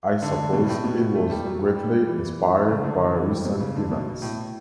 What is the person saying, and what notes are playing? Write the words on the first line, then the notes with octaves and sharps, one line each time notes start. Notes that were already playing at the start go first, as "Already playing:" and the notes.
I suppose it was greatly inspired by recent events.
D3
B2
G2
A2
B2
A3
G3
F#3
G3
G3
E3
C#3
D3
E3
E3
G3
B2
C#3
D3
B2
A2